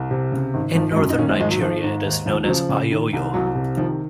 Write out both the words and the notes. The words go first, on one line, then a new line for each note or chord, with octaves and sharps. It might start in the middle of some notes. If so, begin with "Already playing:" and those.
In Northern Nigeria it is known as "Ayoyo".
Already playing: C2
C3
C#3
G#1
G#1 F3
G#3
F#2 F#3
D#4
D#3 A#3 C#4
G#3 C4
G#1 F3 G#3
F#3
G#1 F3
G#2
D#2
D#2 F3
F#3
C#3 F3
C#3
D#3
C2
C2 F#3
C3
D#3 F3